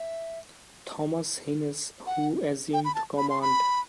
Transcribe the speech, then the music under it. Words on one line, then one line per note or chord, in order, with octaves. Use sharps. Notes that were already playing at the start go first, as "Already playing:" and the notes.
Thomas Hines, who assumed command.
Already playing: E5
F#5
G5
B5
A5
B5
C6
B5